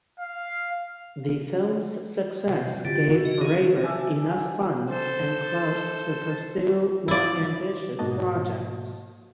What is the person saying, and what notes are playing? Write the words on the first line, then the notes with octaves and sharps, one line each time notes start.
The film's success gave Raybert enough funds and clout to pursue more ambitious projects.
F5
C3
D3 F4 G4
E4 F#4
C#3 D#5
D#3 C#4
D5 E5 G#5 A5
A4 C5
E4 D5
G#2 B2 A#3 F#4 D#5 A5